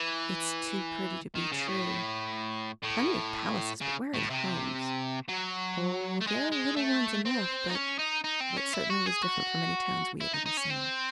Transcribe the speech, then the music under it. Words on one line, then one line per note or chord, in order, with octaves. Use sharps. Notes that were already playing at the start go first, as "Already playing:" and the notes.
"It's too pretty to be true." "Plenty of palaces, but where are the homes?" "Oh there are little ones enough--but--." It certainly was different from any towns we had ever seen.
Already playing: E3
D#3
C#3
A2
A2
C#3
A2
C3
F#3
A3
G#3
G#3
A3
C4
D#4
C#4
D#4
D#4
C4
C#4
E4
F#4
G#4
F#4
E4
D#4
D#4
C#4
C4